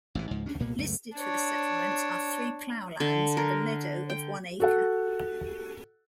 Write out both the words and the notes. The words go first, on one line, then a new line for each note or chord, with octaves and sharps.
Listed for the settlement are three ploughlands and a meadow of one acre.
A1 G#2 D3 E3
C#2 G#2 F3
D2 C#4 D4
C2 A#2 A#3 B3
C#2 F#2 A3
D4 C#5
D3
A#4
G5
F#4 A4 F#5